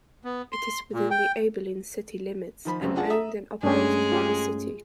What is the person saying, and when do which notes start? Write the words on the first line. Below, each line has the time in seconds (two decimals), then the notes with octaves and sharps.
It is within the Abilene city limits and owned and operated by the City.
0.24 B3
0.52 C6
0.93 A#2
1.11 G5
2.65 D#3 F3 B5
2.80 F1 F#2 C#3 F#3 C4
2.96 D4 F4 G#4 D5 F#5 A5
3.10 E5 A#5 D#6
3.63 G2 G#3 A3 C#4 D4 G4 G#4
4.12 F4 G4